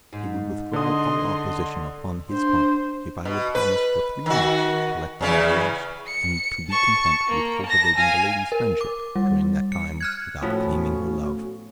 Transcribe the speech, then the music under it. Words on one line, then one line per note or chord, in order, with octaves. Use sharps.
He would withdraw all opposition upon his part if I would promise for three months to let the matter rest and to be content with cultivating the lady's friendship during that time without claiming her love.
G#2
D3 D#5 C6 D#6
D4 C5
B2
B4
D#3 F#4
E2 C#3 E3
C#7
A5 C#6
A#3
A5 A#6
F5 G#5
A#4
D6
G3
C#7
F6 F#6 G#6
A2 F3 A3 B3 C#4 F#4